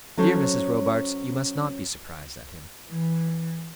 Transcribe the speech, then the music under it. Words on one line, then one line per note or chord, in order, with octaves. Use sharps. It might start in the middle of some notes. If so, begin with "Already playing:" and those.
Dear Mrs. Robarts, you must not be surprised at him.
F#3 C#4 A4 C5 C#5
E3